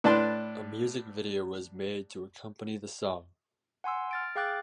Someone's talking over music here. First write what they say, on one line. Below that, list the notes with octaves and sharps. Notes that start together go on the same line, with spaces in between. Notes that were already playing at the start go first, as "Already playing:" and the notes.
A music video was made to accompany the song.
A2 D4 B4 D5 A5 C6
F#5 G#5 C6 E6
F6 A6 D7
G#4 F5 G5 D6 F#6 A6